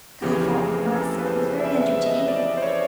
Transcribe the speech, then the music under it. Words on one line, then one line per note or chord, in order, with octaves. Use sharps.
'Guy thought we must, and it was very entertaining.
F2 C#3 E3 G4
G#4
G4
G#4
A4
B4
C5
E5
E5
D#5
D5
C5
C#5